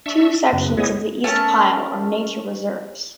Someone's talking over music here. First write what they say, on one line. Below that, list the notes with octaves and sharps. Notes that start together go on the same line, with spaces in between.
Two sections of the East Pyl are nature reserves.
D4 E5 C#6 E6
F#2 C#3 B3
G#3 B3 E4 G#4 C#5 D#5
A3 C#4 A#4 A5